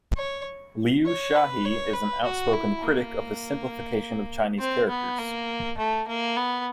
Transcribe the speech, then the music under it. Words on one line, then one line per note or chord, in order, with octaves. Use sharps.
Liu Shahe is an outspoken critic of the simplification of Chinese characters.
C#5
C#5
B4
C#5
B4
F#4
E4
A#3
C4
B3
A#3
A3
A#3
B3